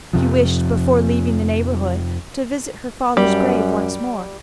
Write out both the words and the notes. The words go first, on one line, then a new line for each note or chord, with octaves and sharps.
She wished before leaving the neighbourhood to visit her father's grave once more.
F2 C3 F3
F#2 G3